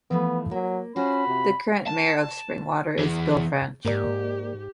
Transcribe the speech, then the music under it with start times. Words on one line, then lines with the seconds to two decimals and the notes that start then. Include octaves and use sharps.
The current mayor of Springwater is Bill French.
0.10 E3 F3 A3 B3
0.51 F#3 A#3
0.96 C#4 F4 F#4 C5 B5
1.27 C3
1.87 A5
2.99 E3 G#4
3.85 G#2 A#3 G4 A#4 D5